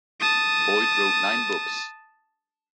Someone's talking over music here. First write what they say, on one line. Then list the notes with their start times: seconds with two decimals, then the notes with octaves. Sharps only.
Boyd wrote nine books.
0.20 A5 D#6